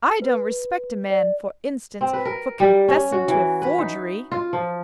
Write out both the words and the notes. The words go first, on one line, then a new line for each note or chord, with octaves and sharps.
'I don't respect a man, for instance, for confessing to a forgery.'
B4
D5
C4
B4
A#4
G3
C#4
F#4
E3
B4
D#4
F4
F3